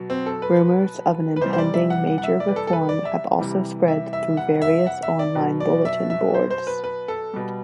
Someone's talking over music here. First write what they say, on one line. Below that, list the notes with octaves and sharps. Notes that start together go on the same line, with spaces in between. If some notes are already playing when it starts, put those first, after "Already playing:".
Rumours of an impending major reform have also spread through various online bulletin boards.
Already playing: B2 F#3
C4
A4
B4
B4
C3 E3 G3 C5
C5
D5
E5
F#5
F#5
F#5
E5
D5
B4
A4
A4
B4
D5
E5
C3 E3 G3
E5
E5
F#5
E5
F#5
E5
D5
B2 F#3
D5
E5
E5
C5
C5
B4
B4
A4
B2 G3